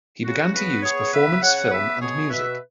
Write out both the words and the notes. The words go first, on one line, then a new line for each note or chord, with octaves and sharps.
He began to use performance, film and music.
C#3 F#4
B3 F#4 B4
B3 G#4 C#5
C#3 B4 E5
C#3 C#5 F#5
B3 B4 E5
B2 G#4 C#5
B2 B4 E5